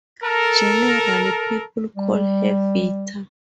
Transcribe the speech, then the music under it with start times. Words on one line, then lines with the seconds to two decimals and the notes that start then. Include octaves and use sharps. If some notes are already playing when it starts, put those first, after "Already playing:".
Generally people call her "Vita".
0.23 A4 A#4
1.95 G3